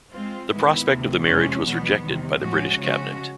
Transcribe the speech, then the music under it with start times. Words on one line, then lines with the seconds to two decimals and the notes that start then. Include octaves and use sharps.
The prospect of the marriage was rejected by the British Cabinet.
0.11 G#3 C4 F4
0.49 G#2 D#3 G#3 B3 E4
0.87 D2 C3 E3
1.24 F2 C3 F3 G#3 C#4
1.63 E2 B2 F#3 B3
2.01 E2 C3 D#3 G3
2.39 A2 F3 G#3 C#4 F#4
2.77 C#3 F3 G#3 C#4 F#4